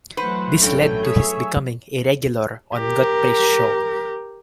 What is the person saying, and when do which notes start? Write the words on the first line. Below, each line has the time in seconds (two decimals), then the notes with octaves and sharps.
This led to his becoming a regular on Godfrey's show.
0.17 E3 F#3 A3 B4 C5 F#5
0.61 A1 G2 C#4 A4 G5
1.03 G#4 C#5 E5
2.76 G4 A#4